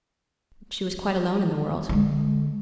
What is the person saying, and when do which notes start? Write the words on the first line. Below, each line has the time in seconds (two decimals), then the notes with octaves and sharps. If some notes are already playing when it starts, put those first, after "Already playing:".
She was quite alone in the world.
1.89 D3 G#3